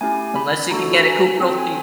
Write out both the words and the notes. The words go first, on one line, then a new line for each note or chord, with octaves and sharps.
unless you can get a coop real cheap.
A3 C#4 E4 G4 G#5
B5
A3 D4 F#4 A4 A#5
G#5
C4 E4 A4 G5
G#5